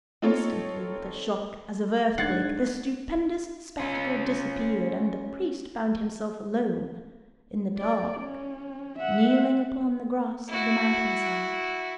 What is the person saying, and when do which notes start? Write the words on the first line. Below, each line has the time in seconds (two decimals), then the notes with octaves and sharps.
Instantly with a shock as of earthquake the stupendous spectacle disappeared; and the priest found himself alone in the dark, kneeling upon the grass of the mountain-side.
0.22 C4 D#4 F4 A4 C#5
2.18 G#2 D4 F#5 G#6 A6 C7
3.80 C#4 F4
7.78 D5
8.21 C#4
8.98 E5 F#5
10.49 E4 F#4